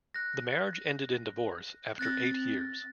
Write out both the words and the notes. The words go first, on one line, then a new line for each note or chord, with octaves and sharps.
The marriage ended in divorce after eight years.
F#6 A#6
C4 F#6 A6 A#6